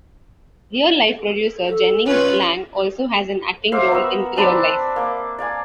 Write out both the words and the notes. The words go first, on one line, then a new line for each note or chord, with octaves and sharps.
Real-life producer Jennings Lang also has an acting role in "Real Life".
A4
C#4 F4 B4 C#5
C5 E5 F5 D6
B3 A#4 C#6 E6
C4 D4 B5 D6
A#3 D6
D5 F5 G#5